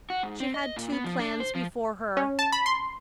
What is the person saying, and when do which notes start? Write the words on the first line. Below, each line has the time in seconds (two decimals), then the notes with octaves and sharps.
She had two plans before her.
0.10 F#4
0.23 G#2
0.40 C4
0.54 D#5
0.76 A#2
0.92 B3
1.04 F3
1.19 D4
1.40 C5
1.55 F3
2.17 C#4
2.39 A5
2.52 B5
2.66 C6